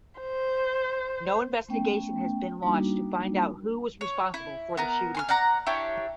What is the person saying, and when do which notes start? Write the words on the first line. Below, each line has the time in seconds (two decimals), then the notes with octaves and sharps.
No investigation has been launched to find out who was responsible for the shooting.
0.21 C5
1.68 A3 B3 C#4 G5
2.63 G3 A#3 D4 D#4 F#4
4.01 C#5
4.34 E4
4.77 B3 A#4
5.15 G#5 C6 F6
5.29 D5 F#5 A#5
5.66 D4 E4 G4 C#5